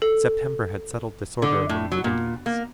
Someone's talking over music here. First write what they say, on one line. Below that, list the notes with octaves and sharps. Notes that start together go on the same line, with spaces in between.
September had settled disorder among the Indians.
A4
D3
A2
F#3
A#2
A#3